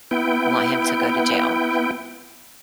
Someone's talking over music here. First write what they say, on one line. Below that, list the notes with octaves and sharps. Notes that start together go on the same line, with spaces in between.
want him to go to jail,
B3 E4 G5